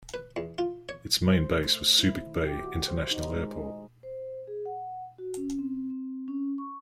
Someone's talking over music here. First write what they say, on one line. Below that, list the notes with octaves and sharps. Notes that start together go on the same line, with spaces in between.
Its main base was Subic Bay International Airport.
B4
E2
F4
C#5
C5
A3
E4
D#3
G4
F#4
C5
D#4
G#3
C5
G#4
F#5
F#4
C#4
C4
C4
C#4
C#6